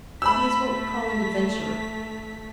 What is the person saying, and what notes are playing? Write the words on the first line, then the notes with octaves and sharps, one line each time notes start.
He is what we call an adventurer.
A3 B5 E6 B6